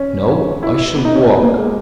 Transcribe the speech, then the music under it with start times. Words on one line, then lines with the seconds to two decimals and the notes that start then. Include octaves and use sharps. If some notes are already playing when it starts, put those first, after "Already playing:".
"No; I shall walk."
Already playing: C#4
0.63 E4
0.95 B3
1.05 D#4
1.15 C#4
1.26 B3
1.42 A#3
1.58 G#3